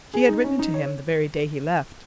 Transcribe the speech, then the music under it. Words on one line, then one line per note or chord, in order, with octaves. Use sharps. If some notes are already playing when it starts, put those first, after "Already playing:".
She had written to him the very day he left.
G#4
D#4
C#4
D#4
C#5